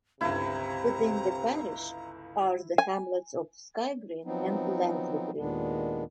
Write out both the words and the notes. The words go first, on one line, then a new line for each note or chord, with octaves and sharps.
Within the parish are the hamlets of Skye Green and Langley Green.
G1 C#2 C3 E4 A#5
G#5
F3 F#3 B3 C4 D#4
D#2 A#2 D#3 G#3 B3 D4